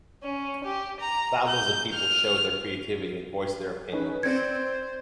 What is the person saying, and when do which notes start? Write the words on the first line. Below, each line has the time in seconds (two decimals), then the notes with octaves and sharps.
Thousands of people showed their creativity and voiced their opinions.
0.23 C#4
0.64 G4
1.00 A#5
1.47 G6
1.94 F6
3.92 C#4 D#4 B4
4.23 C4 C5 D5 G#6 A#6 C#7